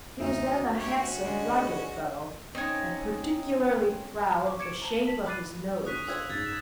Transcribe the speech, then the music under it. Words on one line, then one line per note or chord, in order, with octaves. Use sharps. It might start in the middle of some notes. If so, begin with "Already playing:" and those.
He was then a handsome, rugged fellow, and particularly proud of the shape of his nose.
D2 D#4 E5
G4 C#5
C#4 F#4
G#3 D4
C4 C#4 D#4 G#5
C#6 D6
D6 G#6 C#7 D7 E7
C5 A5 A#5
A5 B6 F#7
B5 D6 F#6 A6 C7 D#7
C#4 C#6 D#6 F#6 B6 D#7
D4 C5 F5 E6 G#6
F#1 G#2 G#6 A6
E7